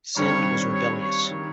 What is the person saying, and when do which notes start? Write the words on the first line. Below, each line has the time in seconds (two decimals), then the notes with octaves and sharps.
Sindh was rebellious.
0.16 G2 D#3 G3 C4 C#5
0.73 C#5
1.02 C#5
1.31 D#3